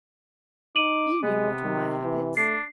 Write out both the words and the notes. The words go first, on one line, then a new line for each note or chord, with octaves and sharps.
You knew what were my habits.
D#4 D6 D#7 F#7
C3 G#3 B3
D#3
E3
A3 D4 C7